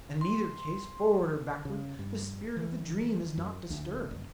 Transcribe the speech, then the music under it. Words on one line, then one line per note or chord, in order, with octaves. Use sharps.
And in either case, forward or backward, the spirit of the dream is not disturbed.
C6
C#3
G2
E3
F#2
D2
F#1